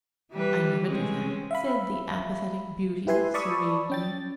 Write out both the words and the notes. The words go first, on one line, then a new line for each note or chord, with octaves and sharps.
'I never do that,' said the apathetic beauty, serenely.
E3 G3 B4
G#3 C4 C#4
E5 F5 B5
E4 G4 B4 E5 G#5 C6
D5 A5 B5 C#6 D#6 E6
C#4 G5 A6